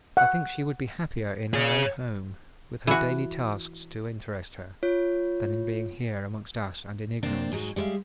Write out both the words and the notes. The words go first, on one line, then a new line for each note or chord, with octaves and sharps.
I think she would be happier in our own home, with her daily tasks to interest her, than in being here amongst us and in ignorance.
F#5
C#4 G#4
E3 F#4
F4 C#5
C3 A#3 C4 D4 C5
G#2 F#3 G#3
G3 G#3 C5 E5 F5